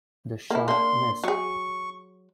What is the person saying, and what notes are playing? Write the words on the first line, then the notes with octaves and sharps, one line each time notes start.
The shot missed.
A#3 E4
A#3 D4 C6
F#3 G#4 C#6